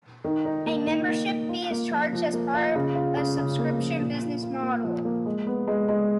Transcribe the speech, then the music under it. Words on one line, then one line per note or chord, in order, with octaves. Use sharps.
A membership fee is charged as part of a subscription business model.
D#3
D#4
A#3
D#3
A#3
A#3
F4
A#3
F3
F3
A#3
F4
C#3
F4
C#3
C#3
A#3
F3
A#2
F4
F4
A#3
F3
A#3
G#3
B3
G#3
G#3